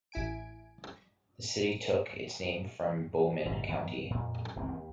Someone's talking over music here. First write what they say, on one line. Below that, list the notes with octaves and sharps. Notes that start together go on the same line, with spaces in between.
The city took its name from Bowman County.
A1 E4 G#5 D7
G1 G#2
D#3 F3 B3
F2 A#2
G1 C#2 E3 C4
D#2